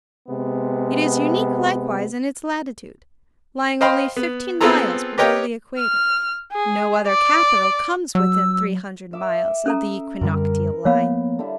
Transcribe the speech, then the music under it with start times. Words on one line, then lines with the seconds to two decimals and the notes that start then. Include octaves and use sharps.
It is unique likewise in its latitude, lying only fifteen miles below the equator; no other capital comes within three hundred miles of the equinoctial line.
0.29 C3 G#3 B3
3.81 C5 D#5 F5 G5 B5 C6
4.17 B3
4.61 B3 C4 F4 G#4 A4 A#5
5.18 G4 A#4 B4 C#5 D#5 G5
5.78 F6
6.52 G#4
7.06 D5
8.15 F#3 E6
9.13 E5 D6
9.66 C#4 A4 A#5
10.21 F#2 D3 G3 A#4
10.85 F3 A#3 B3 C#5 F5 B5
11.39 D3 G3 E4